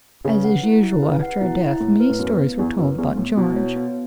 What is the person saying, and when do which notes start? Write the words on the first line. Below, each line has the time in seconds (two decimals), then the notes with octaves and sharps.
As is usual after a death, many stories were told about George.
0.25 C#3 B4
0.44 F#5
0.63 E4
0.83 E4
1.02 C#3 B4
1.22 F#5
1.41 B2 E4
1.61 E4
1.80 A2 E4
2.00 B4
2.10 A2
2.19 F#2 B3
2.39 B3
2.59 E2 E4
2.78 F#2 B4
2.98 E2 B3
3.17 A2 B3
3.37 B2 E4
3.56 C#5
3.76 B3